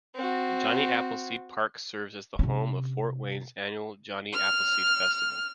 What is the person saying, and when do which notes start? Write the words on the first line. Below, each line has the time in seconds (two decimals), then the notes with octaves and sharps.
Johnny Appleseed Park serves as the home for Fort Wayne's annual Johnny Appleseed Festival.
0.15 C4 F#4
2.39 C3 C#4
4.34 F6